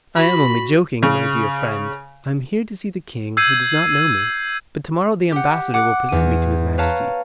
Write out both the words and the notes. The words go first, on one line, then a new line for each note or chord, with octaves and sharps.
"I am only joking, my dear friend; I am here to see the king, who does not know me; but to-morrow the ambassador will present me to his majesty."
F#4 B5
C#3
E6 G6 G#6 C7 D#7
G4 F#5
F#5 D6 F#6
E2 D#7
B4 C#5 F5 A5 A#5